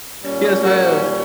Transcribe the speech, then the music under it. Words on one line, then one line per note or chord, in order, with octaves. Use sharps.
Yes, ma'am.
A#2 G3 C#4
F#4 A#4